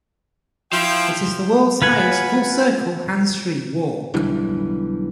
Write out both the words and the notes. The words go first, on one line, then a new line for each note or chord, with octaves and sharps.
It is the world's highest full-circle, hands-free walk.
F3 E4 F5 G5
F4 B4 F#5 G#5
B1 D3 E3 G3